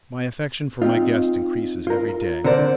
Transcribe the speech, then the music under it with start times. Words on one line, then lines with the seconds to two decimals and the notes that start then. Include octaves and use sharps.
My affection for my guest increases every day.
0.82 C4 C#4 D#4 F4
1.87 F4 A#4
2.44 D3 C4 A#4 C5 D5